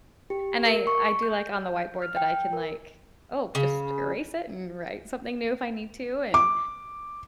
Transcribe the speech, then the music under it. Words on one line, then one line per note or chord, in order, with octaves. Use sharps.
and I I do like on the whiteboard that I can, like, oh, just erase it and write something new if I need to, and,
G4
A#4
C#6
G6
F6
G5
A#4
C#3
D6